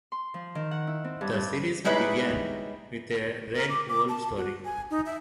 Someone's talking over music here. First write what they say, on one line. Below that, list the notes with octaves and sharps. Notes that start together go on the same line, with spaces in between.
The series began with a Red Wolf story.
C6
F3
D#3
F#5
E4
C4
G2
G2
G3 G#3 D#4 E4 B4 C#5
A#4
D6
D6
A5
F#4
G#5
D#4
E5